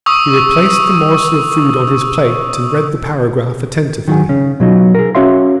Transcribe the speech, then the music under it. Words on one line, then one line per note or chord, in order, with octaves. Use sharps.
He replaced the morsel of food on his plate and read the paragraph attentively.
C#6 D#6 E6
D#3 F#3 F#4 G#4
C#3 C#4
B2 F#3 D#4 F4
G#4 A#4
C#4 F#4 C#5 E5 F5 C6